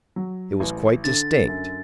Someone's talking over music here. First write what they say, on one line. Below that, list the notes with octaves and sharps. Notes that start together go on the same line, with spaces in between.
It was quite distinct.
F#3
A1
D3 A6
F#2